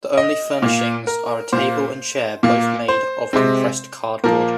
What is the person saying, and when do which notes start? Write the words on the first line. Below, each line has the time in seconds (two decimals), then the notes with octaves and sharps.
The only furnishings are a table and chair, both made of compressed cardboard.
0.17 D#5
0.62 A#2 A#3
1.07 A#4
1.52 A#2 A#3 C5
2.43 A#2 A#3
2.88 C5
3.33 C3 G#3 C4
4.24 A#2 F3 A#3 A#4